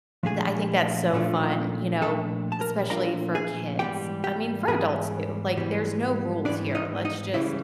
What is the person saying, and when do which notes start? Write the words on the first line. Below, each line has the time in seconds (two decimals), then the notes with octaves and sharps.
tha I think that's so fun, you know, especially for kids. I mean, for adults too. Like, there's no rules here. Let's just,
0.23 A#2 F3 A3 D4 G#4 G#5
1.13 A#2 F3 A3 D4 F4
2.01 A#2 F3 A3 D4 A4 A5
2.52 A5
2.61 A#4 A#5
2.90 A#2 F3 A3 D4 F4 A#4 A#5
3.35 G#4 G#5
3.79 G#2 E3 G3 B3 G4 G5
4.24 G4 G5
4.68 G#2 E3 G3 B3 G#4 G#5
5.57 G#2 E3 G3 B3
6.45 G#2 E3 G3 B3 D4 D5
6.75 D#4 D#5
7.05 D#4 D#5
7.34 C#2 C#3 E3 G3 E4 E5